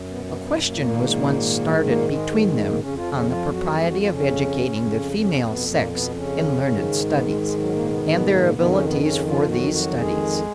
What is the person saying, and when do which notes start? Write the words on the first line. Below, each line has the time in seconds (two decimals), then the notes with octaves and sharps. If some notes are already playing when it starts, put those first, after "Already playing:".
A question was once started between them, on the propriety of educating the female sex in learned studies, and their abilities for these studies.
Already playing: F#2
0.08 B2 B3
0.24 B2 B3
0.40 B2 B3
0.58 B3
0.64 A#2 A#3
0.88 G#2 D#3
1.84 A#2 A#3
2.08 G#3
2.31 F#3
2.43 G#3
2.56 A#2 A#3
2.67 A#2 A#3
2.80 F2 C#3 C#4
2.95 F3 F4
3.11 C#3 C#4
3.27 F3 F4
3.51 F#3 F#4
3.75 G#3 G#4
3.87 F#3 F#4
3.99 F3 F4
4.11 C#3 C#4
4.71 F2 C#3
5.18 C#3 C#4
5.42 B2 B3
5.66 A#2 A#3
5.90 B2 B3
6.14 C#3 C#4
6.61 G#2 D#3
7.09 B2 B3
7.26 G#3
7.41 G#3
7.57 F#3
7.73 A#2 A#3
7.89 B2 B3
8.05 B2 B3
8.29 A#2 A#3
8.45 A#3
8.53 F2 B2 D#3 B3
8.69 C#3 C#4
8.85 B2 B3
9.01 C#3 C#4
9.25 F3 F4
9.49 F#3 F#4
9.72 F#3 F#4
9.96 G#3 G#4